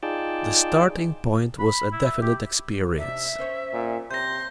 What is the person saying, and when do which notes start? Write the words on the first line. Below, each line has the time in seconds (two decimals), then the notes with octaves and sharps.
The starting point was a definite experience.
0.03 D#4 F4 G#4 D5 G5 A5
1.59 B5
1.92 E4
2.05 E5
2.22 G4
2.98 C3 D4 D#4 E5
3.38 C#4 C5 C#5
3.73 A#2
4.11 C3 C4 C#5 C6 G6 A#6